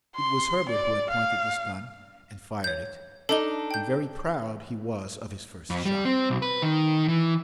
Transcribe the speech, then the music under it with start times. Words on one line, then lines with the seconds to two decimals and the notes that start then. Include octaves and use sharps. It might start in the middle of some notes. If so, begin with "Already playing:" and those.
It was Herbert who had pointed this gun and fired it, and very proud he was of his first shot.
0.16 C6
0.70 D5
1.11 F5
2.64 C#5 G6
3.29 D4 D#4 A4 G7
3.71 G5 G6
5.70 F2
5.86 G3
6.05 C4
6.30 B1
6.42 B4
6.62 D#3
7.08 E3